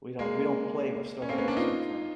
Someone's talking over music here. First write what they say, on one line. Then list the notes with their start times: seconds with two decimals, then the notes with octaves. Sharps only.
we don't we don't play where Star Wars is confirmed.
0.19 G#3 A#3
1.22 C#4
1.29 A#3 C4
1.38 B3 C#4
1.48 C4 D4
1.57 D#4 F4